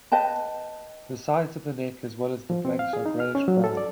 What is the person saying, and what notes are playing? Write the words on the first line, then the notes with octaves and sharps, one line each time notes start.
The sides of the neck as well as the flanks are greyish brown.
B4 D#5 G5 A5
F3
C4
F5
G#4
D#4
F6
C#4
F#3
A4
D5